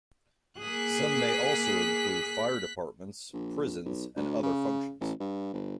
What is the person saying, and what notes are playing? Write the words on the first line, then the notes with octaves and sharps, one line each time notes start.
Some may also include fire departments, prisons, and other functions.
A#3 G#4 F#6 B6
A#1
B1
D2
C#3
A1
G2
G1